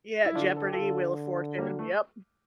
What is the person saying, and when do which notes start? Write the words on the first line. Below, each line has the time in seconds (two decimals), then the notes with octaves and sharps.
Yeah, Jeopardy, Wheel of Fortune, yup.
0.25 E4
0.35 D3 D4 F4
0.56 A4
0.64 G4
0.73 D3 F4 A4
1.58 G3 A#3
1.79 A3